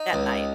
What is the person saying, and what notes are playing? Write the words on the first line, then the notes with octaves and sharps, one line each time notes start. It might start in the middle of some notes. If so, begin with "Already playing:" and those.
at night.
Already playing: D#4
C#2